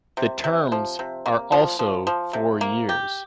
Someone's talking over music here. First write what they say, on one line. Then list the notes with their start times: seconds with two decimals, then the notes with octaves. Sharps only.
The terms are also four years.
0.17 C3
0.44 C3
0.72 F3
0.99 C3
1.26 A#3
1.52 F3
1.79 F3
2.07 F3
2.33 C3
2.61 A#3
2.89 G4